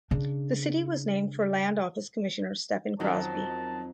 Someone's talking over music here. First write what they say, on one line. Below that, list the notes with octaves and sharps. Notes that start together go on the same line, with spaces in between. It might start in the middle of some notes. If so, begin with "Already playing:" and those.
The city was named for land office commissioner Stephen Crosby.
C#3 D4
F2 D#3 F#3 C#4 A5